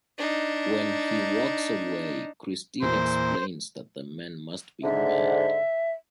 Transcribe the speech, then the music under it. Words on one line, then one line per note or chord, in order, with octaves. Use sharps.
When he walks away, Christine explains that the man must be mad.
D4 D#4
E2 A#2 C5
G#2 D3 E5